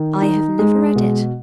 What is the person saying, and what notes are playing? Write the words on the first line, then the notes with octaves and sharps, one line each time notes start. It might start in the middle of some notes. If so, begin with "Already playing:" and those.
"I have never read it."
Already playing: D#3
D#4
G#3
B2